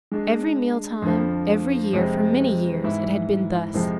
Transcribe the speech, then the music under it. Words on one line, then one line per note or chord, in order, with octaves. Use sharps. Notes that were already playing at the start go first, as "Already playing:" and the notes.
Every mealtime, every year, for many years, it had been thus.
G#3 D4 G#4
F2 D3 F3
F2 C3 G#3 C4
G#2 E3 B3 E4
F2 C3 F3 G#3